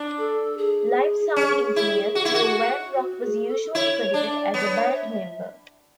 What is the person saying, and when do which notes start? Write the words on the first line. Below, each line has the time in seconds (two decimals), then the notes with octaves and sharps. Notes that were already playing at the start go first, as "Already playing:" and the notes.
Live sound engineer Theo Van Rock was usually credited as a band member.
Already playing: D4
0.18 A4
0.58 G#4
1.36 C#4
1.76 E4
2.15 F#4
2.25 E4
2.34 F#4
2.95 F#4
3.22 G#4
3.48 A4
3.74 E4 C#5
4.13 D4 D5
4.53 B3 C#5
4.62 D5
4.70 C#5
4.93 E5